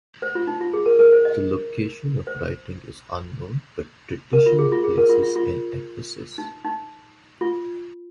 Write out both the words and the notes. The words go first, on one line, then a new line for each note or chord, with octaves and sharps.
The location of writing is unknown, but tradition places it in Ephesus.
C5
F4
D#4
F4
G#4
A#4
A#4
C5
D#5
C5
A#4
F4
G#4
F4
G#4
A#4
F4
F4
F4
D#4
D#4
F4